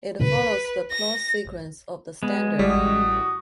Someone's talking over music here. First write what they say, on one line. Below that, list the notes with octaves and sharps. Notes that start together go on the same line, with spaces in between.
It follows the clause sequence of the Standard.
B4
A#6
G#3 B3
A1 G3 F#4 D#6